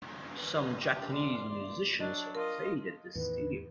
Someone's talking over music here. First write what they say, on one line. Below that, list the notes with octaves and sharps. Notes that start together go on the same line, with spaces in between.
Some Japanese musicians have played at this stadium.
B4
G4
D5 C6
D5
F#3 D4 D#5 A5
F4 A#4 D#5
E2 A2 D#3 B4